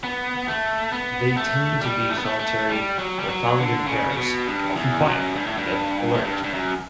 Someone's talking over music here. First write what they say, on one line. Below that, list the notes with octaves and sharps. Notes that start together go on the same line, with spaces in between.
They tend to be solitary or found in pairs, often quiet, yet alert.
B3
A3
B3
A3
G3
A3
B3
A3
A3
G3
F#3
G3
F#3
D3
C#3
C#3
B2
G2
E2
F#2
G2
A2
G2
A2
G2
G2
F#2